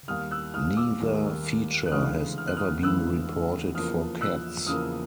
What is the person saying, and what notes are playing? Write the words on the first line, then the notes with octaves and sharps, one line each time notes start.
Neither feature has ever been reported for cats.
D#2 D#3 G3 D#6 F6
E6 F#6
D#6 F6
D6 E6
D#2 D#3 G3
F#6
D2 C#3 E3 G#3 D#6 F6
F6
F#6
D#6 F6
D2 C#3 E3 G#3 E6 F#6
E2 C#3 F3 A#3 D#6 F6
E6 F#6
E2 C#3 F3 A#3 D#6 F6